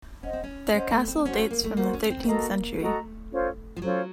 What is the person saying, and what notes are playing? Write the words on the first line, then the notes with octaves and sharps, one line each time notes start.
Their castle dates from the thirteenth century.
C#4 C5 D#5 F#5
C4
C#4
C#4 C5 D#5 F#5
A3
C4
C#4 F#4 C5 F#5
C#4
A#3
A3
A#3 F#4 C5 F#5
C#4
C4
A3
A#3 F#4 A4 D#5 A#5
A3 F#4 A4 D#5 A#5
C#4 F4 A4 C5
F3
F#3 C#4 F4 A4 C5